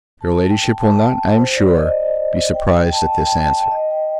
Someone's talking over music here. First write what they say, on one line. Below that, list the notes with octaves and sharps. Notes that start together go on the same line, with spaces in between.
Your Ladyship will not, I am sure, be surprised at this answer.
A5
G5
A5
G5
C5
D5
D#5
G5
G5
G5
A5
A5
G5
A5
G5
D#5
G5